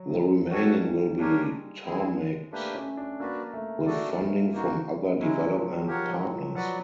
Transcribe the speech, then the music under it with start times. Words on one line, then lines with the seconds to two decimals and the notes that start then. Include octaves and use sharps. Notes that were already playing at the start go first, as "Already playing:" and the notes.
The remaining will be tarmacked with funding from other development partners.
Already playing: F#3
0.50 G3 F#4 A4 C#5 F#5
1.18 G#3 A#3 D4 G4 A#4 C#5
1.85 C4 E4 G#4
2.52 A3 A#3 D4 G4 B4
2.75 C#4
2.97 D4
3.19 A#3 D4 F#4 B4 D5
3.54 A3
3.86 G#3 A3 D4 F#4 A4 D5
4.53 A#3 D#4 F#4
5.21 F#3 G#3 C#4 E4
5.54 F3
5.87 F3 G4 A#4 C#5 F#5
6.10 F#3
6.32 F3
6.55 F#3 F#4 B4 D5 F#5